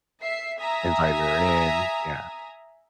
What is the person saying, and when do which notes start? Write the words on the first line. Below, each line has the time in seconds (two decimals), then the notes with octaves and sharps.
and invited her in. Yeah.
0.21 E5 C7
0.59 E5 G#5 A#5 D#6